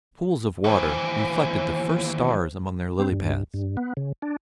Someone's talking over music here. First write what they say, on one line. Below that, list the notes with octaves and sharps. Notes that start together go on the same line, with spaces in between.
Pools of water reflected the first stars among their lilypads.
D#2 E3 C5
C4
G2
G2
B3
C#3
D4